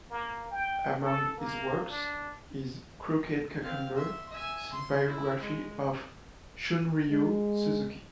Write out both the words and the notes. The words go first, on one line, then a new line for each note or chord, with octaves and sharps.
Among his works is "Crooked Cucumber", the biography of Shunryu Suzuki.
A#3
G5
A4
A#3
D4
C4 F5
E5 C6
E5 G#5
C6
E4
G#3
G#3